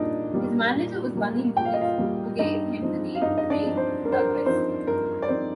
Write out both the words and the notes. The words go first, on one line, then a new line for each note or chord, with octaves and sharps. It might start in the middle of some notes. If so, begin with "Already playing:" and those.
His manager was Bunny Lewis, who gave him the name Craig Douglas.
Already playing: A#2 G3 A#3 D4 D#4 D5 D#5
G3 A#3
A#2
G3 A#3
A#2 G5
F5
D#5
F4 F5
G3 A#3
G2 D#4 D#5
F3 C4 D#4
F5
G2 D#4 D#5
D#5
D4 D5
F3 C4 D#4
C5
G2 A#4
C5
A#4
D5
F3 C4 D#4 C5
G2 A#4
D5
F3 C4 D#4 C5